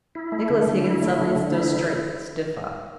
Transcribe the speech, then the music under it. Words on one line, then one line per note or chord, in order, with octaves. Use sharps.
Nicholas Higgins suddenly stood straight, stiff up.
E4
A3
D3
D3
E4
A3
D3
D3
E4